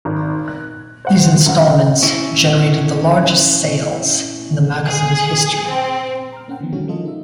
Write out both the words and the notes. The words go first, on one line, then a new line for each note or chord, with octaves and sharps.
These installments generated the largest sales in the magazine's history.
G#1
F#6
C5 F#5
F#2 F#5
C3
C#4 E4
G#4
C4
A#5 F6
A#3 C#4 F#5 G5
D3 D#3 F3 B3
B2 D#3 G3 A3 C#4 F#4
F3 G#3 A#3 F4 A4 D#5
D#4 E5